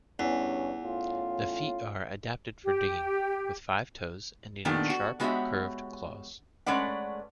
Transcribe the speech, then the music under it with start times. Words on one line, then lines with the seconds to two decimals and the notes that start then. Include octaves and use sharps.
The feet are adapted for digging, with five toes ending in sharp, curved claws.
0.19 E2 G2 C#4
0.83 A2 C#4 F4
2.64 G4
4.65 A#2 D#3 A3 B3 D4 G4
4.90 F#4
5.20 G#3 B3 F#4 G4 C#5 E5
6.66 G#3 A3 C#4 B4 D5 F#5